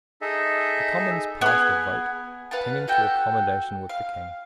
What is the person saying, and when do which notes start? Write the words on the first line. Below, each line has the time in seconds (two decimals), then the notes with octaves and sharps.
The Commons passed a vote tending to accommodation with the King.
0.22 D#4 G#4 A4 D#5 E5
1.41 B3 G#4
2.51 B4 F5 F#5 A5
2.88 F#4 A4 F#5 G5
3.89 F5